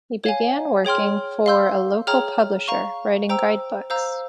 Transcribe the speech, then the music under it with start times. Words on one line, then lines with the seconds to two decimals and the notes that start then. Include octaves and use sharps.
He began working for a local publisher writing guidebooks.
0.24 C#5 F5 G#5
0.85 G#4 C#5 G5 C6 F6
1.46 F5 C6 E6 G6
2.07 G#4 C#5 G5 A#5 F6
2.68 F5 A#5 C#6
3.29 C5 G5 A#5 E6
3.90 C5 F5 A#5 E6 G6